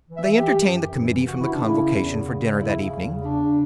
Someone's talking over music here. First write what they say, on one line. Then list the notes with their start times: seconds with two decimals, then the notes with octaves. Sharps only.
They entertained the committee from the Convocation for dinner, that evening.
0.09 E3
0.16 E5
0.26 E3
0.37 G4
0.43 E3
0.59 F#2
0.76 F#2
0.92 E3
1.10 C#3
1.26 E3 F#4
1.39 F#2 E4
1.51 D4
1.59 C#3 E4
1.75 F#2
1.93 E2
2.09 C#3
2.26 C#3
2.42 E2
2.58 C#3 E4
2.75 C#3
2.92 E2
3.09 C#3
3.25 E2 D4
3.42 C#3